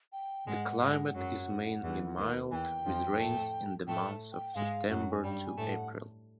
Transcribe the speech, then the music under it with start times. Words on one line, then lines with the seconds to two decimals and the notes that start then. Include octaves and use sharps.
The climate is mainly mild with rains in the months of September to April.
0.13 G5
0.46 G#2 G#3 G5
0.50 F#5
0.81 G#2 G#3 F#5
1.14 F#2 F#3
1.83 E2 E3
2.17 D#2 D#3
2.51 E2 E3 G5 G#5
2.85 F2 F3
3.19 A2 A3
3.87 A2 A3 G5
4.33 G5
4.55 G#2 G#3 F5
4.89 F#2 F#3 F#5
5.11 G#5
5.23 G2 G3 G5 G#5
5.46 G#5
5.57 A2 A3
5.68 G5
5.73 F#5